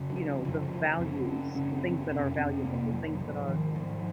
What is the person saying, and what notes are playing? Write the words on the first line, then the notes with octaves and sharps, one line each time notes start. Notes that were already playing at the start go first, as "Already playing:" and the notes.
you know, the values, the things that are valuable, the things that are
Already playing: F#2 C#3
F#3
F3
F#2 C#3 F3
F3
F#2 C#3 C4
C#4
F#2 C#3 C#4
C4
C4
F2 C3 C#4
C4
F2 C3 A#3
F#3
G#2 F3
D#3
G#2 F3